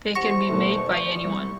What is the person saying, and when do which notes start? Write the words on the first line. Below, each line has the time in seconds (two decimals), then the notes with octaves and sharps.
They can be made by anyone.
0.15 E2 G4 C5 F#5 C#6 A#6
0.49 B2 D#3 A3
0.85 D5
1.24 C2